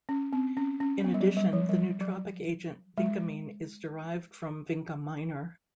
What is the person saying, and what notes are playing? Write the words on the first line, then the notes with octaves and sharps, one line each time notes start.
In addition, the nootropic agent vincamine is derived from "Vinca minor".
C#4
C4
C#4
C#4
B3
G3
F#3
G3
F3
G3
F#3
G#3